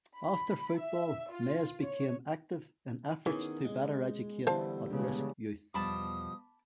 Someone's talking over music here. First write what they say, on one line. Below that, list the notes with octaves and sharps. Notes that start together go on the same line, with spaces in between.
After football, Mayes became active in efforts to better educate at-risk youth.
B5
E5
F4
C#5
D#3 E3 B3 C#4 G#4
G#3
E2 D3 G3 B3 E4 C5 F5 A5
C#3 G#3 B3 D4
E2 B2 F3 G3 A5 B5 D6 D#6